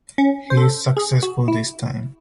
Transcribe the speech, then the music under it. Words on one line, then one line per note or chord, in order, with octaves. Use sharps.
He is successful this time.
C#4
C5
A4
G#4
F#4
E4